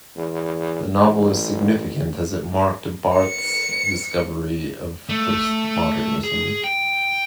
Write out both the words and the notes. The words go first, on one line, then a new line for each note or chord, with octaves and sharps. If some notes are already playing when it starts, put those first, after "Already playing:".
The novel is significant as it marked Barth's discovery of postmodernism.
E2
A1
C#7
A3
G#4
G5